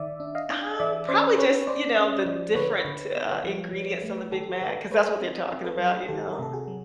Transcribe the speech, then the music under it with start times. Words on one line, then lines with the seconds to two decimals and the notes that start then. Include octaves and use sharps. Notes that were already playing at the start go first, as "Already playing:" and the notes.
Um, probably just, you know, the different, uh, ingredients on the Big Mac, 'cause that's what they're talking about, you know?
Already playing: D#3 D5 E5
0.20 D4
0.35 D#5 F5
0.49 D4
0.79 E3 D5 E5
1.08 C#4 C5 D5
1.38 C#4 B4 C#5
1.67 C#4 C5 D5
1.98 C#4
2.26 F3
2.55 D3 B4 C#5
2.85 D3
3.15 B3
3.44 F3
3.73 F3
4.03 A3
4.32 D#3 G4 A4
4.55 C5
4.61 D#3 A4 B4
4.91 G#3 B4 C#5
5.20 C4
5.51 C4
5.64 A4 B4
5.79 F#3
6.08 D#3 G4 A4
6.32 A#4
6.39 C3 A4
6.53 F#4 G#4
6.68 F#3